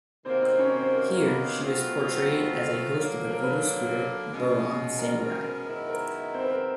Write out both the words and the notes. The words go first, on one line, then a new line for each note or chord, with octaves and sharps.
Here, she is portrayed as a host of the Voodoo spirit Baron Samedi.
C3 D#3 F#3 A#3 C4 C5
C4 C5
C#4 C#5
C4 C5
A#4
B3 B4
B2 F#3 A3 C4 F4
D3 F#3 A#3 A#4
A#4
B4
A#4
B2 G#3 C#4
A#4
A#4
A#4
F#2 D#3 G#3 B3 E4 A#4
A#4
C4 C5
B4
A#4